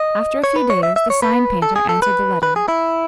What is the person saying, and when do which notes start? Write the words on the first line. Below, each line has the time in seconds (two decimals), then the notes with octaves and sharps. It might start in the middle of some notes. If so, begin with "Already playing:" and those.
After a few days the sign painter answered the letter.
Already playing: D#5
0.44 C#5
0.56 B4
0.70 C#5
0.83 E5
0.96 E5
1.10 C#5
1.22 B4
1.62 A4
1.76 G#4
1.89 A4
2.02 B4
2.43 B4
2.56 G#4
2.68 E4